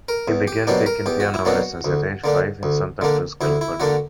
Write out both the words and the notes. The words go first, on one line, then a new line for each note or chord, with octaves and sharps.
He began taking piano lessons at age five in Santa Cruz, California.
A#4
E2
G4
B2 F#3 A#3 D4 G4
A#4
E2 G4
F#4
E4
B2 F#3 A#3 D4 F#4
D2
D3 A#3 D4
D2
D3 A#3 D4
D2 E4
E4
D3 A#3 D4 F#4